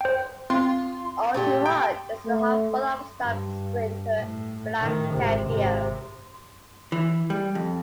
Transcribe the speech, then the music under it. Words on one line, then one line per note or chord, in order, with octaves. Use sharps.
"All Too Hard" is the half-brother of star sprinter "Black Caviar".
C5 G5
C4 F4 C6
A#2 A3 G4
G5
A3
G2
A2
A2 D#3
G#1 C3
G#1 C3
E3
G3
F2